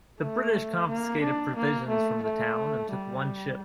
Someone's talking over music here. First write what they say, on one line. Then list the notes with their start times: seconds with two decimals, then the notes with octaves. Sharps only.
The British confiscated provisions from the town and took one ship.
0.20 A3
0.88 A#3
1.21 D4
1.56 A#3
1.89 A3
2.23 A3
2.91 G3